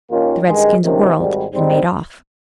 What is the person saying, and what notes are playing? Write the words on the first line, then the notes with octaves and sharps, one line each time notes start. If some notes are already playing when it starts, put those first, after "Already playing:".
The redskins whirled and made off.
D#2 D#3 A#3 C#4 F4
G2 D#3 G#3
C#2 C3 D#3 A#3 C#4
G#1 G#2 G3
G#2 G3 C4 D#4